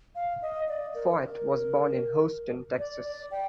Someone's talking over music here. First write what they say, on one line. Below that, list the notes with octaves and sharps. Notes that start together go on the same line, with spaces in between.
Foyt was born in Houston, Texas.
F5
D#5
D5
A#4
A#4
D5
D5
G5